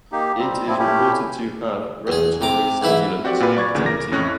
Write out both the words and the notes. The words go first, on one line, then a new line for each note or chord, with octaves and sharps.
It is reported to have respiratory stimulant activity.
A#3 D#4 G4
G3 C4
A2 F3 C4 E4
A#2 A3 C#4 E4 G4
E2 G#4
C3 A#5 D6
G#2 E3 E4 E5
C4 F#4 G4 D5 F#5
A#2 F4 B4
D5 C#6 G#6 A6
D2 A#2 C#3 E3
A#4 D6 A#6
F2 A2 C#4 F#6 A#6